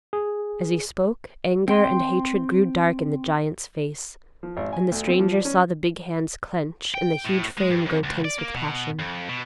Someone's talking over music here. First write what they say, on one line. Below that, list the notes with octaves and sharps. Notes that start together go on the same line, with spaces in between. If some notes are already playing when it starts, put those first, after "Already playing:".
As he spoke, anger and hatred grew dark in the giant's face, and the stranger saw the big hands clench and the huge frame grow tense with passion.
G#4
C4 G5 C6
F3
G#1
G#5
D2
C4
F3
D5
C#4
G5
A2
G#3
G2
F2
C#2
D5
A#3
B2
F2
B2